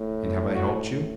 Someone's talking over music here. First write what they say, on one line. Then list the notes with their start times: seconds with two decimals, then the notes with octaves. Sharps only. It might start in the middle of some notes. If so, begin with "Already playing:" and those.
"And have I helped you?"
Already playing: A2
0.54 F#4